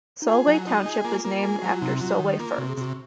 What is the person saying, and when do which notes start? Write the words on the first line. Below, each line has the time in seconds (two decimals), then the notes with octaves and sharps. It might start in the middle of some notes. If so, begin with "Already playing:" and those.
Solway Township was named after Solway Firth.
0.22 D#4
0.27 F4 G#4
0.47 F#3
0.66 D#4 F4
0.86 G#4
1.05 A#3 F4
1.25 A#3
1.43 G#4
1.60 F#3 F#4
1.72 F4
1.82 C3 D#4
2.01 F#3 F4
2.19 D#3
2.39 A#3 F4
2.58 C3 F#4
2.69 G#4
2.77 C3 F#4